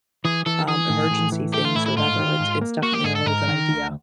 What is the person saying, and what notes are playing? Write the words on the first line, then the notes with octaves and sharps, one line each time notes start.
um, emergency things or whatever, it it's definitely a really good idea.
E3 G#4
E3 A4
E3 G#4
A2
A2
E3
A3 G4
F4
A2 E4
E4
G#2 F4
D#3
G#2
A#3
A#3 F#4
G4
G#2 G#4
A4
G#2 A#4
D#3
D2